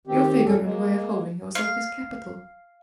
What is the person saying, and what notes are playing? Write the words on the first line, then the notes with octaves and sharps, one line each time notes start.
Your figure and way of holding yourself is capital.
D#3 C4 G4
E2 A#2 G3 C#4 A4
G#3 A#3
F5